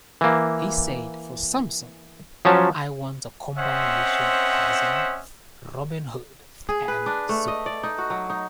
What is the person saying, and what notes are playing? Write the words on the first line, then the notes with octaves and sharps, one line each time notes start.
He said, For Samson, I want a combination Tarzan, Robin Hood, and Superman.
E3 A#3
F3 F#3 C#4 A5
C4 C#4 C5 D#5 E5 F#5
G#4
B4
D4
A3
D#5
D5
D#4
F#4
F#3
D#4